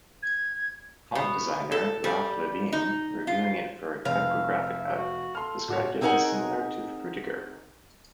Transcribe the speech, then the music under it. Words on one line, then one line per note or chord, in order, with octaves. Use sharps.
Font designer Raph Levien, reviewing it for "Typographica", described it as similar to Frutiger.
G#6
B2
A4
G3
D#4
F4
F1 E5 F5
F#4
A4 C6 F6
A#2 F#4 C#5
C4 D#4 G#4 A#4 F#5 G#5